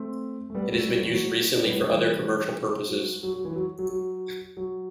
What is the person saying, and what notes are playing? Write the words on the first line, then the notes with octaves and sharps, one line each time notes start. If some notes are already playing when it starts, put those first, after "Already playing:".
It has been used recently for other commercial purposes.
Already playing: A3 C4
A3
G3 B3
F#3 A3
G3
F#3
E3
F#3
B3 D4
G3 B3
F#3 A3
E3 G3
F#3
F#3
F#3
E3
F#3
F#3
F#3
F#3